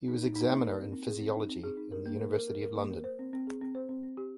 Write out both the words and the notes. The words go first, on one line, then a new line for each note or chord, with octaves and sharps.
He was examiner in physiology in the University of London.
D#4
D#4
D#4
A#3
A#4
C4
C4
G#4
C4
D#4
C4
G#4
D#4
A#4
A#3
A#4
A#4
A#4
A#4
A#3
A#4
C5
C4
C4
G#4
C4
C5
C4
C4
G4